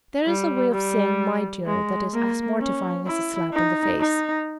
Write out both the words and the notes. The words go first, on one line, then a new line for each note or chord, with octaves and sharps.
There is a way of saying "my dear" that is as mortifying as a slap in the face.
G3
G3
G#3
A#3
C#4
E4
D#4
D#4